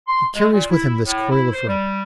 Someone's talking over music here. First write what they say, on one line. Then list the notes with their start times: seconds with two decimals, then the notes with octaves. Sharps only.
He carries with him this coil of rope.
0.08 C6
0.36 G#3
0.53 A#2
0.71 E4
1.06 A2
1.31 E4
1.53 C5
1.68 G3